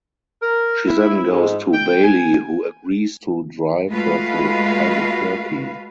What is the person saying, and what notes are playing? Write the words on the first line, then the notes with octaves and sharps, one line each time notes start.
She then goes to Bailey who agrees to drive her to Albuquerque.
A#4
E4
G#2
G5
G#5
G#3 A3 F4 F#4 B4 F5